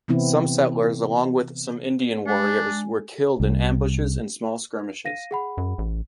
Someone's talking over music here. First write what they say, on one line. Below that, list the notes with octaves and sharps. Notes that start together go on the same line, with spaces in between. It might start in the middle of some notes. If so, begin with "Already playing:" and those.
Some settlers, along with some Indian warriors, were killed in ambushes and small skirmishes.
C3 E3 B3 C4 E4
G#3 D4
C2
F5 A#6 D#7
G#4 F#5 B5
F#2
A1